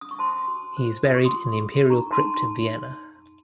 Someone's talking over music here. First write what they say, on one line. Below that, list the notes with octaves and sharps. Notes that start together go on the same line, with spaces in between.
He is buried in the Imperial Crypt in Vienna.
D#6
C#6
C5 A5 C6
F#4
C5
F4 D#6
C#6
C6 D#6
F4
A4
D#4 A#5 C#6
A5 C6
D#4